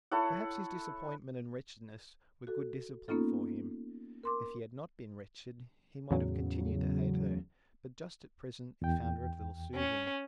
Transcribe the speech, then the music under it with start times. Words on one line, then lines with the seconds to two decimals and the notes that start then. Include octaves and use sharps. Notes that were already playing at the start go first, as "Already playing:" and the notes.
Perhaps his disappointment and wretchedness were good discipline for him; if he had not been wretched he might have continued to hate her, but just at present he found her a little soothing.
0.11 E4 A4 C#5 F#5
2.47 F#4 A4
3.08 A#3 B3 C#4 D#4 F4 A4
4.24 A#4 C6 D6
6.11 E2 A2 C#3 F#3
8.82 E2 G5
9.75 C#4